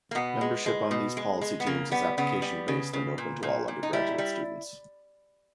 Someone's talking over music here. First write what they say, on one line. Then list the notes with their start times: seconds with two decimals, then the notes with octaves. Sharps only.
Membership on these policy teams is application-based and open to all undergraduate students.
0.11 A#3
0.15 B2 B3
0.41 G#3
0.66 G#3
0.91 B2
1.17 G#3
1.41 G#3
1.60 B3
1.67 C#3 A#3
1.91 G3 B3
2.18 C#3 B3
2.42 G3
2.68 C#3
2.93 C#3
3.18 A#2
3.43 A#2
3.68 A#2
3.83 D#4
3.93 G3 E4
4.18 G3